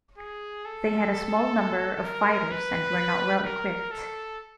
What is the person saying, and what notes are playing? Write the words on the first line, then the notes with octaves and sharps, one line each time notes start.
They had a small number of fighters and were not well equipped.
G#4
A4
A#4
B4
A#4
A4